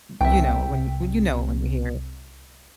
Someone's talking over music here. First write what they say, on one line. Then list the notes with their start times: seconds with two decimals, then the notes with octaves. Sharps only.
You know, when you well, you know it when you hear it.
0.21 C2 E5 G5